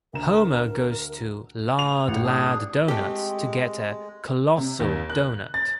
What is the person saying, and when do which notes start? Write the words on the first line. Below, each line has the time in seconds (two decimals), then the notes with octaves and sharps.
Homer goes to Lard Lad Donuts to get a "colossal doughnut".
0.13 D2 A#4 A#5 E7
1.79 F7
2.08 A1 F#5
2.23 D4 G#4
2.88 G#3 A3 C4 G4
4.58 C3
4.80 D#2
5.10 F#6
5.54 A6